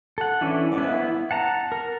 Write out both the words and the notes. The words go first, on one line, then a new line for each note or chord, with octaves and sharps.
but, um,
A4 F#5
E3 C#4 D4 E4
B3 E4
F#5 A5 A#5
A#4